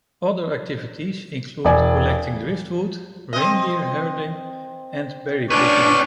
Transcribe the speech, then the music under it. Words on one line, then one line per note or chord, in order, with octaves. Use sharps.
Other activities include collecting driftwood, reindeer herding, and berrypicking.
E1 D5 G#5
C4 D#5
C#4 D4 B4 C#6 D6